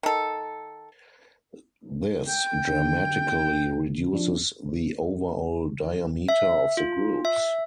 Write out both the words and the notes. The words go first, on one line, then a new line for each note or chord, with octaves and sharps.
This dramatically reduces the overall diameter of the groups.
D#3 A4
G5
D3
F3 D4
E5
F4
E5